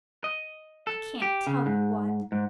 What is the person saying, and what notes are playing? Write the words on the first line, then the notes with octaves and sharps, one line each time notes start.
I can't tell you what.
D#5
A4
G4
C#3
G#2
G#2